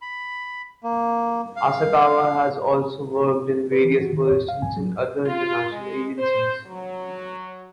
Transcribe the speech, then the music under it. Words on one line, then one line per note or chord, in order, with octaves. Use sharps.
Asakawa has also worked in various positions in other international agencies.
B5
A#3
F5
B4
E3
F#4
D#3
C#5
F5
G#5
F#3
F4
G#3
C5
F#3